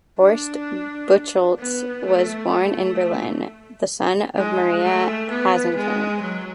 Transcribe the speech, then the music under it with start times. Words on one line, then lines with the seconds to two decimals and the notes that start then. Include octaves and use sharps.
Horst Buchholz was born in Berlin, the son of Maria Hasenkamp.
0.19 D4
1.58 B3
2.05 A3
2.51 A3
4.37 G#3
4.83 A3
5.30 B3
5.75 G#3
6.22 F#3